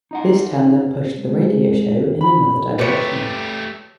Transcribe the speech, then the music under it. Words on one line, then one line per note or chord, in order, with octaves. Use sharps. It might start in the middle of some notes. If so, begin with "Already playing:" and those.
This tandem pushed the radio show in another direction.
D#4 D#5 F#5
G#3
B5
A3 G4 B4 C#5